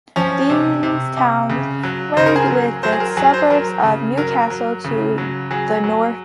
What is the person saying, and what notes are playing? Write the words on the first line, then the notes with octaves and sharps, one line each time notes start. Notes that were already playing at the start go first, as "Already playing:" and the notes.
These towns merge with the suburbs of Newcastle to the north.
F3 C#4
C3
C3
C3
C#3
F#3
C#3 C5
A#4
G#4
F#3 A#4
F#3 C5
G#4
A#4
F#3 G#4
C5
F#3 A#4
C#3
F#3 A#4
F#3
C#3
F#3
F#3 G#4
F#3